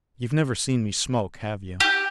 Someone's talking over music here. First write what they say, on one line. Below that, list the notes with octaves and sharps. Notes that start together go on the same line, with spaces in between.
You've never seen me smoke, have you?
G4